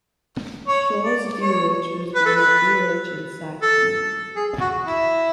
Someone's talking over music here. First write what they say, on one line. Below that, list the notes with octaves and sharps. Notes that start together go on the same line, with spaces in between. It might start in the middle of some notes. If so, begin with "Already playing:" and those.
Schulze-Delitzsch was born at Delitzsch, in Saxony.
C#5
D5
C#5
B4
A4
B4
A4
G#4
F#4
E4